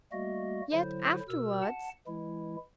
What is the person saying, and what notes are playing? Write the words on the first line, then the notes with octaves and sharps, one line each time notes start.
Yet afterwards--?
G3 A3 A#3 F#4 D#5
D3 F#3 E4 C5
B2 A#4 E6
F#5 A5
E3 G#3 E4